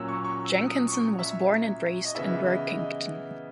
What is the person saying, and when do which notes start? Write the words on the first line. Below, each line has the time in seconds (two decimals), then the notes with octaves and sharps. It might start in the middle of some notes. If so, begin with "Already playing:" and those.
Jenkinson was born and raised in Workington.
Already playing: A#2 F#3 A#3 C#4 E6
0.08 C#6
0.24 C#6
0.45 E6
0.66 D#6
0.88 C#6
1.19 E5
2.04 D#5
2.14 C#3 E3 B3 E4 E5
2.46 D#5
2.78 D#5